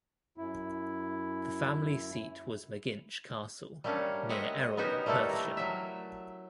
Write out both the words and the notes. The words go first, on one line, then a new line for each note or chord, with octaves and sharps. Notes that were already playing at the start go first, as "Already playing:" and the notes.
The family seat was Megginch Castle, near Erroll, Perthshire.
F#2 E4
G3 A3 A#3 C#4 D4
G#3 F#4 G4 D#5 E5 F#5
B3 C#4 D#4 F#4 G4 A#4
G3 A3 A#3 E4 A4
A3 A#4
F#3 E5